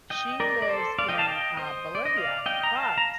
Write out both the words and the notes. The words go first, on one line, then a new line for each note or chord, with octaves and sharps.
she lives in, uh, Bolivia, but,
D#5 G5
A#4 D5
D5
A4 C5
D5 F5
D#5 G5
F5 A5
D#5 G5
C5 D#5
D5
D#5
D5 F5
D#5 G5
A#5
F5 A5
A#5